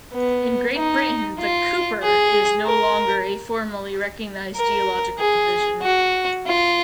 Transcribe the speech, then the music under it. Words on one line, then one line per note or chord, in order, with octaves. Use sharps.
In Great Britain the 'Keuper' is no longer a formally recognised geological division.
B3
D#4
F4
G#4
A#4
A#4
G#4
F#4
F4